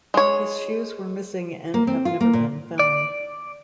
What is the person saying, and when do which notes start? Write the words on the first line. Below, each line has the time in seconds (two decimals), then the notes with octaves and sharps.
His shoes were missing and have never been found.
0.14 G#3 C#5
1.74 A#3
1.87 C4
2.05 F4
2.21 A#3
2.33 A#2
2.79 D5